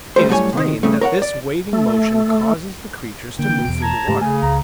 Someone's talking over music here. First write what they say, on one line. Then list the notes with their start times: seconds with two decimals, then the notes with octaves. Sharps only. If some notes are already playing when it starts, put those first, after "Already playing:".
It is plain that this waving motion causes the creatures to move through the water.
0.16 D#2 G3 A3 C5
0.29 F#2 A2 G3 F#4 C#5 G#5
0.53 C3 D#3
0.83 G2 C#3 A3
1.01 A#4 C#5 F5 F#5
1.22 D5
1.73 A3
3.39 D3 E3 A#3 G5
3.65 E2 B2 D7
3.82 A5 A#5 G#6
4.08 G#2 C#3 A3 G4
4.21 C#3 A3 G#5
4.42 C#2 A#5